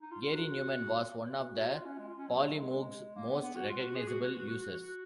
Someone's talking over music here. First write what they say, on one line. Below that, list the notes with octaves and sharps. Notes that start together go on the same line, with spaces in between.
Gary Numan was one of the Polymoog's most recognizable users.
D#4
F4
F4
F#4
F#4
F#4
F4
C#4
G#3
F4
C#4
F#3
G#3
F#3
G#3
G#3
A#3
B3
B3
F#4
F4
F#4
G#4
F#4
F#4
F#4
F#4
F#4
F#4